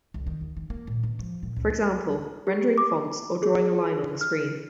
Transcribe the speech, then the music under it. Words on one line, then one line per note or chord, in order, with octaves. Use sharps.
For example: rendering fonts or drawing a line on the screen.
C2
D#3
D#2
D#3
A#3
A#2
B2
F3
A#2
C#2
G4
D6
G#4
F6